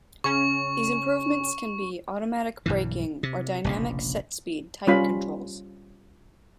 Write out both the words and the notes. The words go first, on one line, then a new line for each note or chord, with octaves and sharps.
These improvements can be automatic braking or dynamic set-speed type controls.
C#3 C#4 C#6
B1 G2 E3
C3
F1 A#1 C#3
G3 C#4 F4 B5